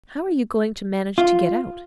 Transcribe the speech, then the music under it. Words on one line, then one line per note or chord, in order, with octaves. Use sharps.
"How are you going to manage to get out?"
F4